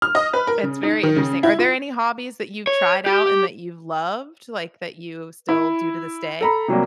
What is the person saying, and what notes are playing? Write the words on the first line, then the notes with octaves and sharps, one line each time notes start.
It's very interesting. Are there any hobbies that you've tried out and that you've loved, like, that you still do to this day?
F6
D#5
B4
A#4
C#3
D#4
D#3
C#3
E4
F4
C#5
G4
E4
A4 A#5 B5
C3 F#3 G3 A#3